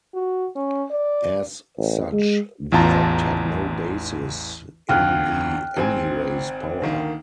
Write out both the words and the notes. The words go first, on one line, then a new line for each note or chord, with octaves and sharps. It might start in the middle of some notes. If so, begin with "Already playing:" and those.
As such, the Act had no basis in the 'any race' power.
F#4
C#4
D5
A1
G#3
A1 E2 F4 A5 A#5
G#1 D2 F4 G5 F6 F#6
G#1 C4 G#5
D2 D#3 A#3